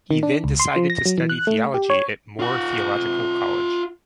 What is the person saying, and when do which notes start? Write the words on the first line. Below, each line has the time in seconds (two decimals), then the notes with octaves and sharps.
He then decided to study theology at Moore Theological College.
0.11 D#3
0.23 D4
0.44 C#2
0.60 C6
0.76 F3
0.90 A#6
1.06 F#3
1.18 E3
1.29 F#6
1.47 A3
1.74 G4
1.90 C#5
2.39 F4 F#5